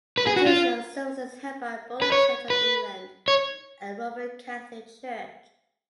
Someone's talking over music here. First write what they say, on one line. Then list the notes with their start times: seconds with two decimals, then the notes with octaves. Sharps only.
Occasional services held by both the Church of England and Roman Catholic Church.
0.18 B4
0.27 G#4
0.36 F#4
0.46 F4
2.02 B4
2.12 C#5
2.50 B4
3.28 C#5